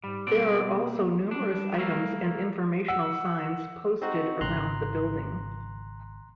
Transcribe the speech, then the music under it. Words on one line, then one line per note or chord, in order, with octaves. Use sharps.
There are also numerous items and informational signs posted around the building.
G#2 G3
B2 G3 C4 D5
A#3
G3 D4
A3 A#3
F#5 E6
C4 D#4 F#4
G#1 C#3 A#5 C6 F#6